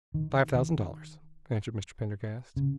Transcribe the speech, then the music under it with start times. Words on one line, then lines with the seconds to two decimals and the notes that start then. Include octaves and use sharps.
"Five thousand dollars," answered Mr. Pendergast.
0.14 D#3
0.55 D#3
2.56 C#3